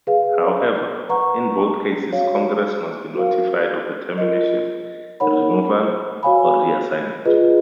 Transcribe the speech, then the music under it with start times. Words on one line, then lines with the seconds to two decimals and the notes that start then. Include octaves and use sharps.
However, in both cases Congress must be notified of the termination, removal, or reassignment.
0.07 G#4 B4 F5
1.09 B4 F#5 A#5 C#6
2.12 F#4 C#5 F5
3.15 F#4 A#4 F5
4.18 F4 A#4 D#5
5.20 D#4 A#4 C#5 F#5 B5
6.23 F#4 C#5 F5 G#5 B5
7.25 F4 G#4 B4 D#5